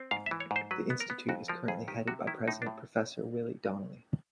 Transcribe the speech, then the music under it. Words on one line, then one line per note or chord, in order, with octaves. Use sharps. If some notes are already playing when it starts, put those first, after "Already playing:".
The institute is currently headed by President Professor Willie Donnelly.
Already playing: C4
G#2 F5
E5
E3
C#5
G#2
C5
F#3 B4
B3
A#4
B3
F2 F#4
F3 A#4
F2 G#4
D#3 G4
C3 F#4
D#3 E4
A2 D#4
D4
A2